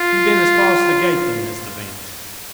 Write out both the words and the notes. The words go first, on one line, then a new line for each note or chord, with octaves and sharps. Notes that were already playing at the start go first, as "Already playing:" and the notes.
'You've been as far as the gate then, Mr Venus?'
Already playing: F4